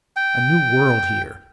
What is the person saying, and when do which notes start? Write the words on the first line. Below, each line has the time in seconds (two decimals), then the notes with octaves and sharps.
A new world here.
0.16 G5